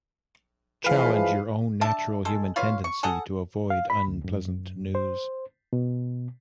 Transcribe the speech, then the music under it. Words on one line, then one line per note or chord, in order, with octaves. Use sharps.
Challenge your own natural human tendency to avoid unpleasant news.
E3 F3 G#3 B4 F5
D4 E5 A5
G#3 A4
F4 B4 C#5 F5
C#6
G#4 A4 D#5 F#5
F5
B5
D2
F#2
C5
B2